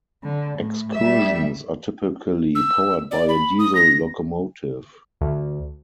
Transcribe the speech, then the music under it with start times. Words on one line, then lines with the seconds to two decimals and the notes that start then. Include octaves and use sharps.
Excursions are typically powered by a diesel locomotive.
0.23 D3
0.58 A2
0.94 G3 E5
2.55 E6
3.11 D5
3.29 B5
3.59 D#6
3.75 A#6
5.21 D2